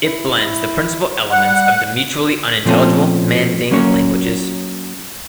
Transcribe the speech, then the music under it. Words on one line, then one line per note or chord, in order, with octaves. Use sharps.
It blends the principal elements of the mutually unintelligible Manding languages.
E4
G3 F#5
A#2 F3 A3 C4 C#4 A4
F#3 A#3 C#4 C#5